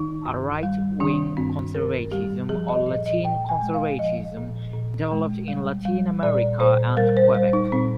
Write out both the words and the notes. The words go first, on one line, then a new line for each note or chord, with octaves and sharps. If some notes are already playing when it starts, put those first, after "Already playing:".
A right-wing conservatism, or "Latin conservatism", developed in Latin America and Quebec.
Already playing: D#3 D#4
G2
G3
D#3 D4
G2 C4
G2 A#4
G3 G4
F3 G#4
D#5
A#2 D#5
D#5
A#2 G5
G#5
G#3
F5
F3 D#5
A#2
A#2
G#3
G3
G3
A#2 D5
A#2 C5
G3 A#4
C5
G3 C5
D#4
A#2 C4